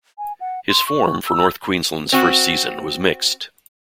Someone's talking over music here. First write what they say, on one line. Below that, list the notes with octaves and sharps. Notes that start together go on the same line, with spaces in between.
His form for North Queensland's first season was mixed.
G#5
F#5
C6
C#6
E6
C4 F#4